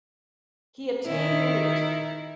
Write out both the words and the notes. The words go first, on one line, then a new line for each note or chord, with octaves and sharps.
He obtained the Lieut.
D#3 E4